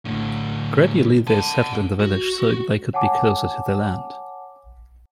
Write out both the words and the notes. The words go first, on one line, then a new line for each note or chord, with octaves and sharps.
Gradually they settled in the village so they could be closer to their land.
A2 D3
F#5 A5
F#4
C#5 F#5 G#5 A5 D6